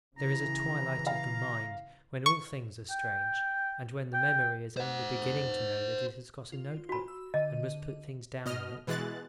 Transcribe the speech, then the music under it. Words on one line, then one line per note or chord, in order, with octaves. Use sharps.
There is a twilight of the mind, when all things are strange, and when the memory is only beginning to know that it has got a notebook, and must put things down in it.
C#3 E3 A#5
F5 A#5
C#6
G5
G5
C5 F#5
F4
F#4 B5
E6
D3 D#5 D#7
B2 D#5 F6
B2 E3 G#3 F#6 A6